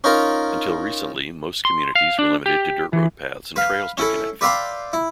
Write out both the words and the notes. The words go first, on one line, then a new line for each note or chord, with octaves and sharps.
Until recently most communities were limited to dirt-road paths and trails to connect them.
C#4 D#4 F4 A#4
C6
F5
D4
G4
E3
B4 F5
C#4 E4 A4
B4 D5 E5 F5 G5 C6
E4